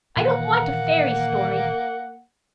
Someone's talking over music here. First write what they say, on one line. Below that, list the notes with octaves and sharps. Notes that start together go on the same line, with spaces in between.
I don't want a fairy story.
A#2 D#3 E3 A#3 F#5